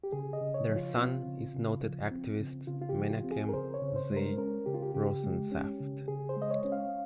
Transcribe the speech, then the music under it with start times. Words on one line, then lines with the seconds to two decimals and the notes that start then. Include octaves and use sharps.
Their son is noted activist Menachem Z. Rosensaft.
0.04 G4
0.12 C#3 G#4
0.33 D#5
0.41 C#3
0.54 C#5
0.69 F3
0.76 F4
0.97 C4 F4
1.26 C#3
1.54 C#3
1.83 F3
2.11 C4
2.40 C#3
2.67 C#3 F4
2.81 F4
2.89 G4
2.96 F3
3.10 F4
3.24 C4
3.32 G#4
3.49 A#4
3.53 C#3 C5
3.74 C#5
3.82 C#3
3.96 C5
4.10 G#3 C5
4.17 A#4
4.38 C#4 A#4
4.66 C#3 G4
4.74 F4
4.82 G4
4.95 C#3 G4
5.23 G#3
5.52 C#4
5.80 C#3
6.08 C#3 G#4
6.29 C5
6.37 G#3
6.42 D#5
6.51 C#5
6.65 C#4
6.72 F5